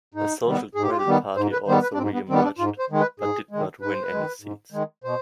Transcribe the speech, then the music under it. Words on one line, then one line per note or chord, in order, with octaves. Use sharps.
The Social Credit Party also re-emerged, but did not win any seats.
G#2 D#4
D#3 G3 B3
G#2 G#4
G4
F4
G4
D#3 G3 B3
G#2 C5
B4
D#3 G3 B3 C5
B4
D4
G#2 C4
B3
D#3 G3 B3 C4
D4
G#2 F4
C5
D#3 G#3
B4
G#2 G#4
D#3 G#3
G#2 B4
C5
B4
D#3 G#3
G#2
D#3 G#3
B2 C5